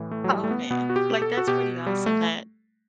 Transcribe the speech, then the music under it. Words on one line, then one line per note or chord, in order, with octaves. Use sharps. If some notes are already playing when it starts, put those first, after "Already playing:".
Oh, man, like, that's pretty awesome that
Already playing: A2 E3
A3
F#3
G3
A3
B3
B2 B3
F#4
G4
A4
F#4
B2 G4
G3
A3